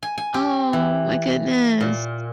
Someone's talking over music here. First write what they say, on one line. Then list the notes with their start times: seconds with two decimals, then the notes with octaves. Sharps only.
Oh my goodness.
0.03 G#5
0.18 G#5
0.34 G4
0.73 E3
1.81 A#2